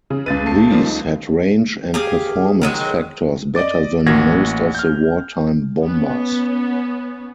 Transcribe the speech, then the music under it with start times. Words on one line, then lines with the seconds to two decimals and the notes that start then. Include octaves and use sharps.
These had range and performance factors better than most of the wartime bombers.
0.10 C#3
0.26 C#2 B4 A6 D#7
0.46 A3 A5 C7
0.71 F3 G3 A#3
0.86 D#4
1.94 G4 G#4 F5
2.62 D#3 F#3 G#3
3.55 D5 D#5 D6 A6
4.06 A1 A#3 F#4 F#5 G#6 A#6
4.75 F6 G6
5.82 B3 C#4